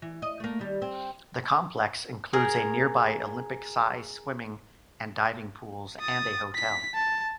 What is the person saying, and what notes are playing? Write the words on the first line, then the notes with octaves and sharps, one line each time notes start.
The complex includes a nearby Olympic size swimming and diving pools and a hotel.
E3
D#5
A3 A#3
D#3 G3
C4
G#4 A#4
D#6 A6
B6
A5